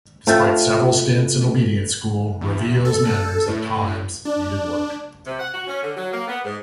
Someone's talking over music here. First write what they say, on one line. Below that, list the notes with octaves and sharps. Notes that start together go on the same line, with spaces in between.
Despite several stints in obedience school, Reveille's manners at times needed work.
A3 C4 F4
E2
A4
A2
D4
C3
F#5
F#4
C#4
D3
F#3
A#3
B3
G#2